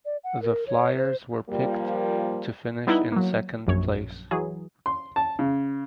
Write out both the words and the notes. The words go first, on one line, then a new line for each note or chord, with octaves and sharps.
The Flyers were picked to finish in second place.
D5
F#5
A#4
C#5
C5
F3 G3 A#3
G3 B3 D#4 E4
F#3 A#3
A#1 F#2 C#5
E3 F#3 G#4
C6
A5
C#3